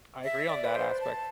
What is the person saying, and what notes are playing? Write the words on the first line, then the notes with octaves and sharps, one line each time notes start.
I agree on that aspect.
E5
D5
B4
C5
A5